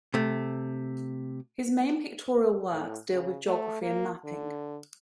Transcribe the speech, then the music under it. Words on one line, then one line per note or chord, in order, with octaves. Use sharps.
His main pictorial works deal with geography and mapping.
C3 A3
A2
C#3
A3
A#3
D3